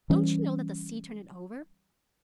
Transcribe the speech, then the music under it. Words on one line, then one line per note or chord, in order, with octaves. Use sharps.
"Don't you know that the sea turned it over?"
E3 G3 C#4